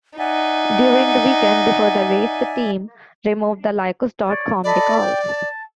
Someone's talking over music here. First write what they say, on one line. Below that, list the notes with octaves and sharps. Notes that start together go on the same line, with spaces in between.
During the weekend before the race the team removed the Lycos dot com decals.
D#4 D5 E5 F#5 G#5
C#5 D5
A4 D5 D#5 B5
G5
A5